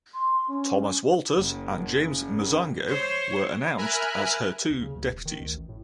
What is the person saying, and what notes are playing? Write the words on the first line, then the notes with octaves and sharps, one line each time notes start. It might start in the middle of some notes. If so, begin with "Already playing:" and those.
Thomas Walters and James Masango were announced as two her deputies.
C6
C#4
F#1
C5 C#5
A#4 E5 G#5 B5 F6 F#6
D#2
C#3
D2
D#1
D#3
D2
A1
A2